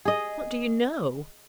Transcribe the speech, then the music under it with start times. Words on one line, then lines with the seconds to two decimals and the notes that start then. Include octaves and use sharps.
What do you know?'
0.05 G#4 D#5